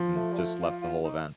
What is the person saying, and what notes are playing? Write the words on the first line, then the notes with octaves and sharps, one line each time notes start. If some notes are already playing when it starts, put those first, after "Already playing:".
and just left the whole event.
Already playing: F3
A3
G3
A3
F4
F4
D#4